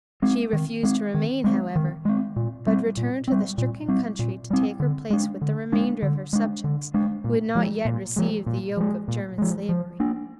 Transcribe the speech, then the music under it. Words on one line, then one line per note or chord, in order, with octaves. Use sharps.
She refused to remain, however, but returned to the stricken country to take her place with the remainder of her subjects who had not yet received the yoke of German slavery.
G#3 C4
D#3
G#3 C4
D#3
G#3 C4
D#3
G#3 C4
A#2
G3 C4
A#2
G3 C4
A#2
G3 C4
A#2
G3 C4
D3
G#3 D4
D3
G#3 D4
D3
G#3 D4
D3
G#3 D4
A#2
F3 G#3
A#2
F3 G#3
A#2
F3 G#3
A#2
F3 G#3
F3
A#3 D4